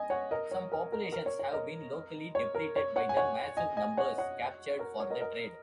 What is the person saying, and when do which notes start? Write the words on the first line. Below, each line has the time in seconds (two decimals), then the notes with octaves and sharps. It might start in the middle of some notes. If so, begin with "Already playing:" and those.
Some populations have been locally depleted by the massive numbers captured for the trade.
Already playing: D#5 G#5
0.10 C#5 F#5
0.31 A#4 D#5
0.51 C#5
0.72 A#4
0.92 A#4
1.12 A#4
1.26 C#5
1.39 C#5
1.53 A#4 D#5
2.35 C#5
2.55 A#4
2.76 C#5
2.96 C#5 F#5
3.09 G#5
3.17 C#5 F#5
3.57 D#5 G#5
3.77 D#5 G#5
3.97 C#5 F#5
4.18 C#5 F#5
4.79 A#4
5.00 C#5
5.10 A#4 D#5
5.21 A#4 D#5